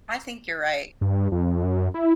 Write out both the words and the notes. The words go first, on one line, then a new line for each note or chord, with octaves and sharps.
I think you're right.
G2
F2
F#2
E4